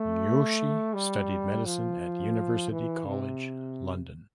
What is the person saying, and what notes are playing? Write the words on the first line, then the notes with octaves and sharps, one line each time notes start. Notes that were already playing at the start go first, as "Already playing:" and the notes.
Joshi studied medicine at University College London.
Already playing: A3
G3
F3
E3
C3